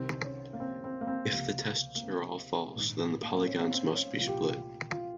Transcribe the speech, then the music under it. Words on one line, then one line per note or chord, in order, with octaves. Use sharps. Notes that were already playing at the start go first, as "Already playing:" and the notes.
If the tests are all false, then the polygons must be split.
Already playing: C2 C3 D#3 C4
C#4
A#3
C4
C4
A#3
C4
C#2 C3 F3 A#3
A#3
C4
A#1 G#2 D#3
A#3
C4
C#4
A#3
C4
C#4
C2 A#2 F3 F4
G4
F4
F4